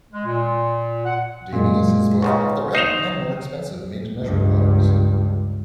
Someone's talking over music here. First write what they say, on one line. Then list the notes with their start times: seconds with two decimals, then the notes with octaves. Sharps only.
Dainese has both off-the-rack and more expensive made to measure products.
0.12 G#3
0.25 A#2
1.05 F#5
1.53 F#2 A#2 G#3
2.22 C#2 G#2 C#3 C#6
2.75 D#4 C5 C7 E7 F7
4.21 C#2 G2